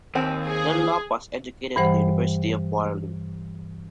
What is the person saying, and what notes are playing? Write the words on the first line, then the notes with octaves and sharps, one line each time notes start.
Dunlop was educated at the University of Waterloo.
D#2 C4 G#5
G#4
G2 E3 G3 C5 F#5